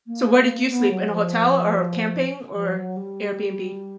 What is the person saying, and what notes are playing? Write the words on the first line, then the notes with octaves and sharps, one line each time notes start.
So where did you sleep, in a hotel or camping or Airbnb?
A#3
B3
F#3
F3
F3
F#3
G3